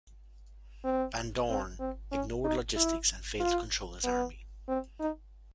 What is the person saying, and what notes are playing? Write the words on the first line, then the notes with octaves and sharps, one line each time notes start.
Van Dorn ignored logistics and failed to control his army.
C4
C4
C4
C#4
D#4
E4
F4
B3
C4
D#4